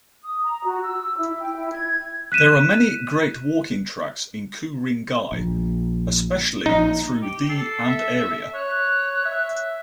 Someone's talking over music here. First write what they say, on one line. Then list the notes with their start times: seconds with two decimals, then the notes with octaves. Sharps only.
There are many great walking tracks in Ku-ring-gai, especially through the and area.
0.24 D#6
0.44 A#5
0.65 F#4
0.82 E6
1.17 E4
1.41 G5
1.56 E4
1.72 G#6
2.32 F#6 B6 D#7 E7
5.32 A#1
6.66 A#1 D#4
7.23 G4
7.49 A4 C7
7.85 E5
8.54 C#5 F#6
9.25 E5